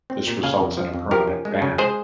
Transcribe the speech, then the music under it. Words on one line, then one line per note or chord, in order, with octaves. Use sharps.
This results in a permanent ban.
C4
A#2
C#3 F5 G#5
F2
F3
F2
F3 G4 A#4
C#4
G#3
C#3
G#3 G#4 C5